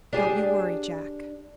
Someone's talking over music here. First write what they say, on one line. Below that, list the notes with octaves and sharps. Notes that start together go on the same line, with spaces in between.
"Don't you worry, Jack."
D4 G4 G#4